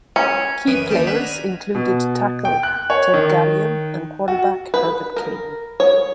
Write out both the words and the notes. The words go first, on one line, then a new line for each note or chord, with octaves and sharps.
Key players included tackle Ted Gallion and quarterback Herbert Cain.
C#4
F#2 E3 C#4 B4 D6 D#6
D#2 C#4 D#4 G4 A5 D6
C#4 D4 G4 B4 E5 F#5
G#5 A#5
B2
G5
F#6
C#5
D#3
F#4
B4
A#4
C#5